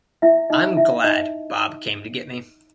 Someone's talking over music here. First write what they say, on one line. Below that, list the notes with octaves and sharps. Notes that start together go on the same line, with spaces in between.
I'm glad Bob came to get me.
E4 E5
D#4 D#5
E4 E5
D#4 D#5